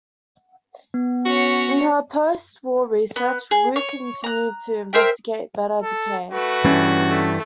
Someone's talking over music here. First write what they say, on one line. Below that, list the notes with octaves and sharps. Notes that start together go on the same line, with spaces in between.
In her post-war research, Wu continued to investigate beta decay.
B3
C#4 F#4 C#5
B3
G#4
C#5
A#5 F#6
A#4 C5 E5 G5
A4
A3 F#4 B4
G2 E3 C#4
A3